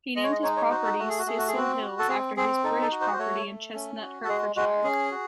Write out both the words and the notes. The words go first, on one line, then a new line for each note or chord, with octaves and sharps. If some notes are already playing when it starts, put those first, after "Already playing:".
He named his property Cecil Hills after his British property in Chestnut, Hertfordshire.
G#3 D#5
C#5
D#5
D#4 C#5
C#5
F#4 C5
A4
A3 F#4
G#4
F#4
A3 G#4
F#4
G#4
C4 F#4
F#4
A4
C4 G#4
C4 G#4
D#4 A4
A4
F#4
C5
C5
A3 C#5
A3
C#4
F#4
A4
G#3 G#4
G#3 F#4
C#4 G#4
F#4